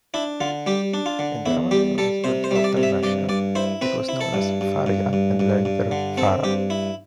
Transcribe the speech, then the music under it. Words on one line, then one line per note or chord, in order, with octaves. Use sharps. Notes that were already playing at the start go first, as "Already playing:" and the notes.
In the Roman province of Dalmatia, it was known as Pharia and later Fara.
D4 E4
D3 F4
G3 G4
D4
F4
D3
E2 E4
G3 G4
G3 A4
C3 C5
C5
G3 E5
D5
C3
E5
G2 D5
G2 D5
E4 C5
C4 B4
E4
A4
G2
G2
G2
G2
G2
G2
D3
C4 A4
G2 G4
E4